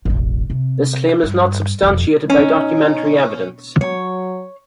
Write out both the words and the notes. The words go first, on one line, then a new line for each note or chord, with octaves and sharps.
This claim is not substantiated by documentary evidence.
E1 A1
C3
G2
E1 F2
C#4 D#4
F#3 C#5